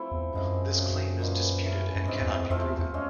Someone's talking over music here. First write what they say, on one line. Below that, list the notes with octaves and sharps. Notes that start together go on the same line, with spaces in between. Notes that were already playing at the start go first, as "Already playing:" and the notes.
This claim is disputed and cannot be proven.
Already playing: F3 A3 C4 E4
E2
F#2 F3 G#3 C4
C#3 F#3 A3
A#2 F3 G#3 B3
E3 A3 C#4
F#2
G2 C3 E3 G#3 C4
E2
F2
F2 F3 A3 C4 F4
E2
E2
G#3 C#4